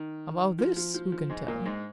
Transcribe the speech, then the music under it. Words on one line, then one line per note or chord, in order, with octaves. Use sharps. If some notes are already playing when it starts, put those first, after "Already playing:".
About this who can tell?
Already playing: D#3
F3
F3
F3
F3
G#2 G#3
A#2 A#3
G#2 G#3